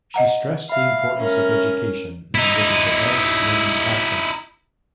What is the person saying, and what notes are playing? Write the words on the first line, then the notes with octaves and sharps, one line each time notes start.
She stressed the importance of education and was a devout Roman Catholic.
D#5 F#5 A#5
E5 F5 B5
C#4 A#4
D#4 E4